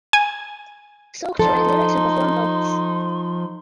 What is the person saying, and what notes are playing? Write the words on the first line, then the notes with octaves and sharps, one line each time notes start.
Sok to write lyrics and perform vocals.
G#5
F3 D#4 A4 C6